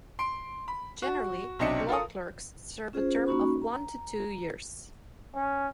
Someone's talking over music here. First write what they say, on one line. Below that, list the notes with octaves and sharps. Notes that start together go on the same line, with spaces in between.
Generally, law clerks serve a term of one to two years.
C6 D7
B5
F#4
B1 C3 D4 D#5 E5 C#7
F4 A4 A#4 D#6
C#4 F4 G#4 C5
A#3 C#4 D#4 F#4 B5 C#6
A#5
C#4